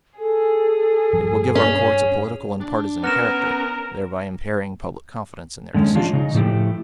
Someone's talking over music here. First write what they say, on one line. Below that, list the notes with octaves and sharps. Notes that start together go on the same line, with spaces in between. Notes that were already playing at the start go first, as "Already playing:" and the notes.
It will give our courts a political and partisan character, thereby impairing public confidence in their decisions.
G#4 A4
G2 F3 G3
C#4
D4 D5
B3 C#4 A#4 F6 A#6 E7
D3 D#3 G#3 C#4
F3 G#3 C#4 D4 F4
C#3 D#4
A2 F3 A3 E4 G4